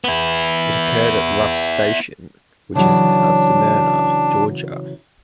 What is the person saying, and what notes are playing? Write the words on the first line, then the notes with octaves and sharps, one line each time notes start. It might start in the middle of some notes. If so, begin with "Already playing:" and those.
It occurred at Ruff's Station, which is now Smyrna, Georgia.
B3 E4
C#3 E3 F#3 D4